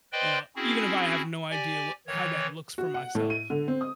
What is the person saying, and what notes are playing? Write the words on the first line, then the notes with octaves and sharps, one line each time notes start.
You know, even if I have no idea wha how that looks for myself.
B4 C5 D5 D#5 G5 C6
C4 C#4 E4 F#4 G#4
G4 D5 G#5
D#3 E3 C#5
F#4
F#5
A2
D#7
D3
C4
D#6